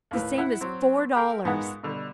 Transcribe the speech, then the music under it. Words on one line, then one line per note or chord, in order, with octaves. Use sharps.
The same as four dollars!
D#2 A2 B4
E4 F#5
F#3 C4
A4 A#4 F5 G5 B5
A#1 G#2 G#3 B3 F#5
B2 D3 G3